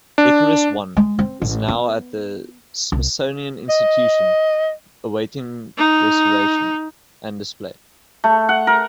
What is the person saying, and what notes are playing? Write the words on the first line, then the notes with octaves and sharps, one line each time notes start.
Icarus I is now at the Smithsonian Institution awaiting restoration and display.
D4
G#3
C4
A1
B3
C2
D#5
D#4
A3
F#5
A#4